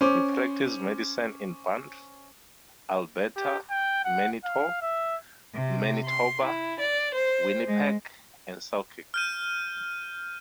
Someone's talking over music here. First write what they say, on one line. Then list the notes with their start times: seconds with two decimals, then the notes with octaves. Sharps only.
He practised medicine in Banff, Alberta, Manitou, Manitoba, Winnipeg and Selkirk.
0.01 C#4 C5 D6
3.36 G4
3.70 G5
4.05 F#5
4.44 F5
4.81 E5
5.54 C3
6.04 C6
6.44 E4
6.79 D5
7.14 C5
7.67 G#3
9.14 F6 G6 D#7